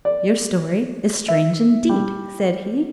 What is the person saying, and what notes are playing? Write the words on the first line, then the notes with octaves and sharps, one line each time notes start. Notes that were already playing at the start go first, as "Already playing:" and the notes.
'Your story is strange indeed,' said he.
D5
E5
G3